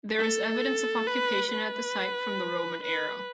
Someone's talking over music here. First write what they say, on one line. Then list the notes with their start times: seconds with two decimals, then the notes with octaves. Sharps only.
There is evidence of occupation at the site from the Roman era.
0.19 A4
1.07 B4
1.51 B4
2.82 B4